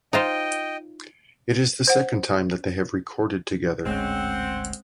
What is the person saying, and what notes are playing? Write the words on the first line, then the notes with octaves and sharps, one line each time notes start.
It is the second time that they have recorded together.
D#4 F4 C5 D#5 G5
C5 F#5
G#1 D2 A2 G#3 C4 C#4 F#5